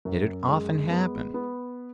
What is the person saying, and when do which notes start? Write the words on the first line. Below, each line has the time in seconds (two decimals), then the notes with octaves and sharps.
Did it often happen?
0.05 F#2
0.49 G#3
0.91 B3
1.34 B3